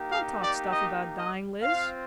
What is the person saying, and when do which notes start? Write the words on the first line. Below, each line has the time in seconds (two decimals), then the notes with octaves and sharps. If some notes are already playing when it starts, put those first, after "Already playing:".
'Don't talk stuff about dying, Liz.'
Already playing: A#3 D#4 G4
0.12 F5
0.42 D5
0.72 D#5
1.17 D#5
1.62 C4 F4 F5